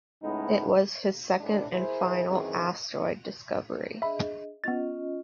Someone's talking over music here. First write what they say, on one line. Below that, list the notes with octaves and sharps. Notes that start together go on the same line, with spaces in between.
It was his second and final asteroid discovery.
C#2 A2 G#3 B3 D#4
A2 G#3 D4
E4 G#4 A#4 C5
F#2 D#3 E3 C4 G#4
D4 G#4 D#5 E5 B5
B3 C#4 F4 D#5 A6